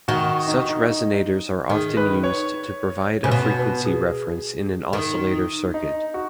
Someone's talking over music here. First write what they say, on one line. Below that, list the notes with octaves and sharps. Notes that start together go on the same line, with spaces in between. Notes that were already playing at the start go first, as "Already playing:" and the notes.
Such resonators are often used to provide a frequency reference in an oscillator circuit.
D#3 F#4
D#4
F#4
D#4
D#4
D#3 G#4
B4
C#5
C#3
B2 B4
B4
G#4
D#3
D#4
F#4